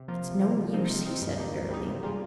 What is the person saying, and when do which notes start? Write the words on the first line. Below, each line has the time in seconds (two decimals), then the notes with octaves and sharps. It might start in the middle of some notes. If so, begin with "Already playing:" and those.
"It's no use," he said wearily.
Already playing: C3
0.08 F3 A#3 F4
0.24 C3
0.40 F3 A#3 F4
0.57 C3
0.73 F3 C4 D#4
0.89 C3
1.06 F3 C4 D#4
1.22 G2
1.38 G3 A#3 D#4
1.54 G2
1.70 G3 A#3 D#4
1.86 C3
2.03 G3 A#3 F4 G#4